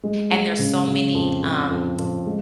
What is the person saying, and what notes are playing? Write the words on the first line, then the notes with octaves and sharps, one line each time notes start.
And there's so many, um
G#3
G#3
C#3
C#3
F2
F2
F2
F2
G#3